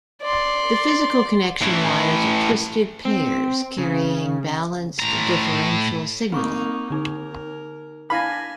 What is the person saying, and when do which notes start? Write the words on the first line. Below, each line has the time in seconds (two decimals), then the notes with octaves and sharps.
The physical connection wires are twisted pairs carrying balanced differential signaling.
0.22 D5 C6
1.62 A2 E3
3.05 C4
3.78 C#3
5.00 A2 A#5
6.32 A#3 C4 D#4 C#6 D6
6.90 D3 D#4 A#4
8.10 D4 F5 G#5 B5 A#6 B6